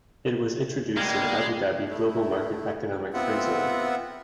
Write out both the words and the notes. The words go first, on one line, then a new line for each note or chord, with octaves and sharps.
It was introduced in Abu Dhabi Global Market economic free zone.
G3 G#3 A#3 B3
A3 E4
B3 C4 F4 E5 F#5